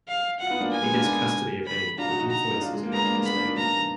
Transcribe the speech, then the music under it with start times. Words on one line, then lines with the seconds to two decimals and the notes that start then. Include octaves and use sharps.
He gets custody of Annie and influences her to disdain Effi.
0.08 F5
0.40 F4 F#5
0.50 B3 D#4
0.61 A#3 D4
0.71 A#3 G#5
0.82 G#3 B3
0.93 A#3 D4
1.03 B3 D#4
1.67 B5
1.98 D4 F4 A#5
2.08 D#4 F#4
2.19 D#4 F#4
2.30 A#5
2.56 D#4
2.61 D4 F4
2.73 G#3
2.83 A#3
2.93 G#3 B3 A#5
3.04 A#3 D4
3.15 A#3
3.26 G#3 B3 B5
3.35 A#3 D4
3.47 B3 D#4
3.56 A#3 D4 A#5